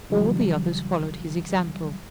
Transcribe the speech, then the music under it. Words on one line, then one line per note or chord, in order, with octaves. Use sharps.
All the others followed his example.
C#3 E3 F#3 G3